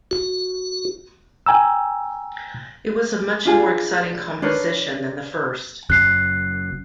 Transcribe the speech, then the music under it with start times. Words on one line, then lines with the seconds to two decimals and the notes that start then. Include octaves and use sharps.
It was a much more exciting composition than the first.
0.11 F#4
1.46 G5 G#5 A#5 E6
3.45 D4 F4 G#4
4.42 D4 A#4 B4 C#5
5.90 F#1 F#2 F#6 C7